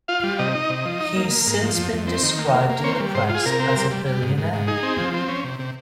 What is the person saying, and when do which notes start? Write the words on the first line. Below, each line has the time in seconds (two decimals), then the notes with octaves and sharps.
He's since been described in the press as a billionaire.
0.08 F4 F5
0.23 G3
0.39 C3 D#5
0.55 D#4
0.70 C3
0.85 F3
1.00 D#4
1.16 A#3
1.31 A#3
1.47 G#2
1.62 F3
1.77 F2
1.93 F2
2.07 C4
2.23 D#3
2.38 A#3
2.53 A#3
2.69 A#3
2.84 C4 C#5
3.00 G3
3.15 G#2 C5
3.29 F4
3.35 G#4
3.46 C3 A#4
3.60 C4
3.76 G3
3.91 G3
4.06 G3
4.22 G#2
4.37 G#2
4.53 G#2
4.67 D#4 G#4
4.83 C4
4.98 F3
5.14 C4
5.28 C#4
5.44 C3
5.59 C3